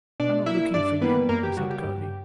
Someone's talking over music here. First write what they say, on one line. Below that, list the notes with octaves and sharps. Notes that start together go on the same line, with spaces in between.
"I am not looking for you," he said curtly.
B2 D4 D5
A#3 E4 E5
G2 D4 D5
E3 G3 A#3 B3 B4
F#2 A#3 A#4
G4
C#3 G3 F#4
G4
G2